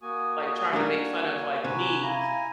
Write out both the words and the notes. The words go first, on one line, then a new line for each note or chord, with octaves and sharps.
like, trying to make fun of, like, me?"
A#3 F#4 G#5 D#6
G3 D4 A#4 D5
C3 F#4 B4 G#5
E4 F5 G#5 A#5